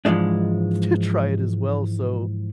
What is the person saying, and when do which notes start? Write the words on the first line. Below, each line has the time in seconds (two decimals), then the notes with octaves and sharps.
to try it as well so,
0.05 G#2 E3 F3 G#3 D4